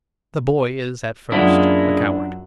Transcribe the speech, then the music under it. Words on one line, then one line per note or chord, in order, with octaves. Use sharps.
The boy is at first a coward.
F#2 G#3 A#3 D4 E4 F4 F#5